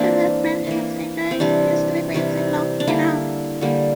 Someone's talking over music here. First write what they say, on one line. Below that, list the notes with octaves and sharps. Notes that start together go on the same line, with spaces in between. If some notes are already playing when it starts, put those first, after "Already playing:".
The dead man has enjoyed his liberty long enough.
Already playing: E3 A#3 C4 D4
E3 A#3
C4
C3 E3 G3 D4
C3 E3 G3
D4
D3 G3 A#3 E4
D3 G3 A#3